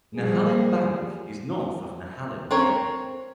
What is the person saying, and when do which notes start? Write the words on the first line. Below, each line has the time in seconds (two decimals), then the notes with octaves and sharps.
Nehalem Bank is north of Nehalem Bay.
0.15 F3 G3 G#4
2.51 C4 A#4 C#5